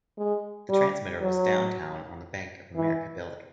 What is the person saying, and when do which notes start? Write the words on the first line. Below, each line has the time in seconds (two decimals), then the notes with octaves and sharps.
The transmitter was downtown on the Bank of America building.
0.18 G#3
0.70 G3
1.22 F#3
2.76 E3